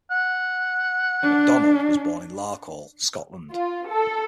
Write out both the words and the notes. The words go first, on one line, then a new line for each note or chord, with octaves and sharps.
Macdonald was born in Larkhall, Scotland.
F#5
D4
F4
A4